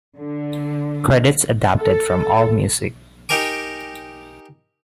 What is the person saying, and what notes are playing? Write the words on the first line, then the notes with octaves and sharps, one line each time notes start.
Credits adapted from AllMusic.
D3
A4
D#4 G4 A#4 G#5 D6